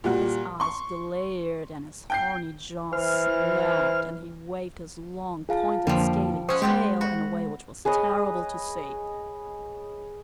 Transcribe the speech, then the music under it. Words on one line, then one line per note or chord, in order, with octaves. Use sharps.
His eyes glared and his horny jaws snapped, and he waved his long, pointed, scaly tail in a way which was terrible to see.
A#2 G3 F#4
C6 C#6
G5 G6 C7
E3 C5 F6
F4 G#4 F5 A5
F2 D3 F3 G3 A#3
G#3 C#4 C5 F#5 C#6 D#6
G#3 B3 C4 G4 C6
F#4 B5
G#4 B4 C#5 D#5